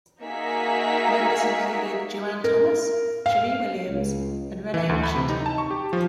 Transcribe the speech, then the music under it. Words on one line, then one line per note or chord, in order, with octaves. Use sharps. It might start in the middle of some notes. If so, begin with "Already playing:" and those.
Members included Joanne Thomas, Cheri Williams, and Renee Washington.
A#3 D#4 F#4 G#4 E5 B6
A#4
F5
C#2
E3
D2
B5
C3
D#4
A5
C#6
G4
F3